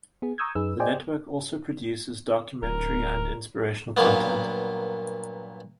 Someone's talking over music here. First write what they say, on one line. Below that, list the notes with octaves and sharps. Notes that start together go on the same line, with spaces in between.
The network also produces documentary and inspirational content.
B3 G#4
A#5 C#6 D#6 E6 G6 G#6
F#2 D#4 G#4 B4 E6
G#4 C5 D5 D#5 G5 G#5
D1 A#4
G2 A#2 F#3 A#3 B3